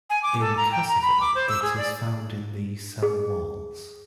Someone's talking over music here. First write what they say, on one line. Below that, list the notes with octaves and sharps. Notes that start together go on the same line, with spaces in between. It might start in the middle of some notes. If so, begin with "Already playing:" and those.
In cassava it is found in the cell walls.
G#5
D6
A4
A#5
G5
A#5
B5
D6
C5
E6
G#4
D5
G#4